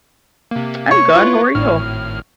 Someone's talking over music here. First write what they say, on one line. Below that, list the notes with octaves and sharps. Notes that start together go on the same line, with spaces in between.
I'm good, how are you?
C3 A#3
C#5
E4 F4 B4
G#1 A2 F6